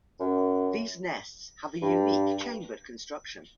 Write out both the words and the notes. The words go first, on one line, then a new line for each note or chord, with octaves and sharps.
These nests have a unique chambered construction.
F#2
G2